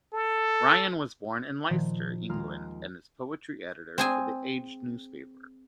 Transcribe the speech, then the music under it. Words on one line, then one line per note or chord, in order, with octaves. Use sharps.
Ryan was born in Leicester, England and is poetry editor for "The Age" newspaper.
A4
A#2 D#3 F3
D#2 G#3 F4 A#5 F6
C4 G#4 G#5